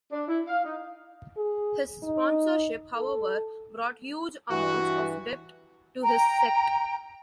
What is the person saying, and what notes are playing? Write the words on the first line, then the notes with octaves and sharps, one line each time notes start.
His sponsorship, however, brought huge amounts of debt to his sect.
D4
E4
F5
D#4
G#4
D#4
A4
G2 E3 F#4
G5 A#5